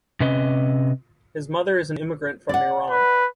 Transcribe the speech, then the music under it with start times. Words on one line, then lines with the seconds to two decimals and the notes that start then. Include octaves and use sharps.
His mother is an immigrant from Iran.
0.20 C3 C#4 B4 D#5
2.49 D5 F#5
2.90 B4